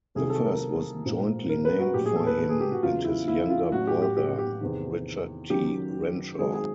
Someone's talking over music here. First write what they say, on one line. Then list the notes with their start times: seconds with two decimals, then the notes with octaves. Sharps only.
The first was jointly named for him and his younger brother, Richard T. Renshaw.
0.15 C2 C3 D#3 F#3 G#4
0.30 A4
0.45 A#4
1.05 A#1 G#2 F3
1.49 A#4
1.65 B4
1.79 F#4
1.94 A#1 A2 F#3 G4
2.06 G#4
2.16 A4
2.27 B4
2.38 A4
2.49 G#4
2.60 G4
2.72 F#4
2.83 E2 C#3 F#3 F4
3.04 E4
3.28 E4
3.50 F4
3.72 A1 A2 F#3 F#4
3.87 G4
4.02 G4
4.17 G4
4.38 G4
4.61 E2 C3 D#3
5.50 F#1 F#2 D#3 F#3 G4
6.38 G#1 G#2 D#3 F#3 G#4
6.54 G#4